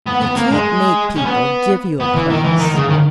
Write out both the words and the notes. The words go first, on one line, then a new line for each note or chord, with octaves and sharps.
"You can't make people give you a place."
B3
B3
A#3
G#3
C#4
B3
B3
E3
D#3
E3
D#3
C#3
D#3